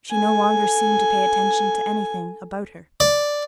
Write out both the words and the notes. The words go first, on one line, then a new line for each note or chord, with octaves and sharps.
She no longer seemed to pay attention to anything about her.
A4 G#5
D5